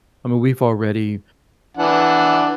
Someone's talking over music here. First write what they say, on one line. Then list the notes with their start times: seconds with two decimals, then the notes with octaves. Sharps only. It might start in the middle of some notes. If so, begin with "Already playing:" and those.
I mean, we've already
1.77 E3 D4 F#5